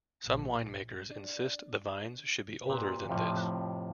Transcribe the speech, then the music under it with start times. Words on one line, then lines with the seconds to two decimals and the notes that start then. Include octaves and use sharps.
Some wine makers insist the vines should be older than this.
0.25 A#1
1.11 D4
2.66 A#2 G4 B4
3.10 F2 A2 C3 F3